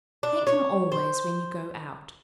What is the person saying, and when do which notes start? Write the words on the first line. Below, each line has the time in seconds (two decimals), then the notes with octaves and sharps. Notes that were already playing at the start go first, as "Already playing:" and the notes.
Thank him always when you go out.
0.23 D4
0.47 C#5
0.92 C5